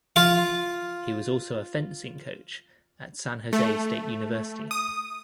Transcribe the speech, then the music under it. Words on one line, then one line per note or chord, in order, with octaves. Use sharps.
He was also a fencing coach at San Jose State University.
F4 F5
A3
D#6